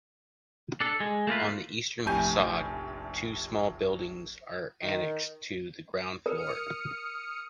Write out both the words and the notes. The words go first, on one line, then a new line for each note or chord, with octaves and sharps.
On the eastern façade, two small buildings are annexed to the ground floor.
D4 A4
G#3
A3 A#3 F4 B4
F1 A#1 A2 G4 G#5 G6
D#3
A#4 D#6 F6 C#7